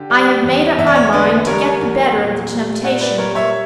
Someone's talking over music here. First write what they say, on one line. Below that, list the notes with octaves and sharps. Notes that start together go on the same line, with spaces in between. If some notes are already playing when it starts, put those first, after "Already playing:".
I have made up my mind to get the better of the temptation.
Already playing: D3 G4
G3
E2
E2 E5
D5
C#5 E5
D3 B4 D5
G3 A#4 C#5
E2
A#2
G3
A#2 D5 F#5
B4 D5
G3 A#4 C#5
C#5 E5